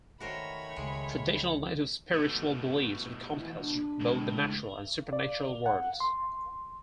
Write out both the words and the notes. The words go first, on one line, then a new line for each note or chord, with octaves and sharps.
Traditional native spiritual beliefs encompassed both the natural and supernatural worlds.
D#3 A3 F#4 A#4 C5 C#5 B5
C#2 G#3
B2 A3
E3
D4
C#2 A2
D5
F#5
C6